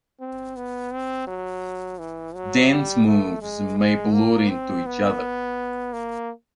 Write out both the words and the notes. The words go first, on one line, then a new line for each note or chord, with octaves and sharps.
Dance moves may blur into each other.
C4
B3
C4
F#3
E3
F#3
G3
A3
G#3
G#3
A#3
C4
B3
A#3